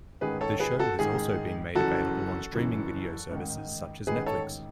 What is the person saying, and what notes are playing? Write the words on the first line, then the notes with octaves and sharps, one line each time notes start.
The show has also been made available on streaming video services such as Netflix.
A1 G#2 D#3 G#4 B4
A4 C#5
G#4 B4
F#4 A4
A1 G#2 D#3 G#4
F#1 F#2 E3 F#4 A4
F#1 F#2 E3
A1 G#2 D#3
A1 G#2 D#3 G#4 B4
A4 C#5